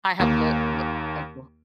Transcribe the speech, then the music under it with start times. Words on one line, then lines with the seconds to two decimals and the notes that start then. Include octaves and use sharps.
I have the the pencil.
0.20 D#2 A#3